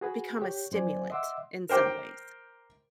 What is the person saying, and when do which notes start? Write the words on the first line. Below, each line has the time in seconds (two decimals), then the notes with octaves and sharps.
become a stimulant in some ways.
0.01 F#4 G#4 B4
0.41 G4 C#5 G5
0.72 F#2 C5 D5 G#5
1.10 D#5 E5 F#5 C6 D6 E6
1.69 A#4 C5 G5 D6